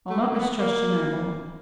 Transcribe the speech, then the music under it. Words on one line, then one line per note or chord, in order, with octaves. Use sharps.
I'll not mistrust yo' no more.
A3
A#3
A#3
B3
A#3